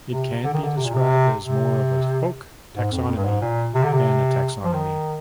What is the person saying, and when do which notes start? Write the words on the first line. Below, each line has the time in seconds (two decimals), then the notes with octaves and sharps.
It can be described as more of a folk taxonomy than a taxonomy.
0.10 C3
0.44 D3
0.53 D#3
0.63 D3
0.77 C3
0.85 A#2
0.94 C3
1.43 C3
2.76 G#2
2.92 F2
3.08 F2
3.16 G2
3.25 G#2
3.41 A#2
3.74 C3
3.83 D3
3.93 C3
4.64 F3
4.73 D#3